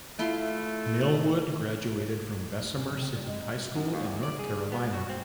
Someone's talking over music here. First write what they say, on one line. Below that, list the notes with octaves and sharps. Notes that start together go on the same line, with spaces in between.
Millwood graduated from Bessemer City High School in North Carolina.
A3 E4 F4 C6
D2
C#4
F#3
C4
G3
G#3
F#2
D#2
E2
D5
G#4
B3
F#4
C4